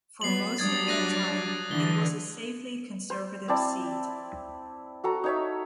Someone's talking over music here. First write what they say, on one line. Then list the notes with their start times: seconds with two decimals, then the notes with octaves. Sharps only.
For most of that time, it was a safely conservative seat.
0.21 F#3 B3 C7 F#7
0.58 F#3 G3 D4 D#6 G#6 A6
0.88 F#6 A#6 D#7
1.71 D3 E3 G7
3.10 C5
3.48 C4 E4 D5 A5
5.04 F#4 A4 A#5
5.24 D#4 C#5 E5